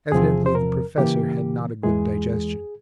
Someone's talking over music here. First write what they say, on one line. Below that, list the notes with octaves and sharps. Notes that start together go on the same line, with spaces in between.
Evidently the professor had not a good digestion.
E2 C3 F3 C4 G#4
C5
A#4
C#3 E3 A#3 G4
E2 E3 G#3 G#4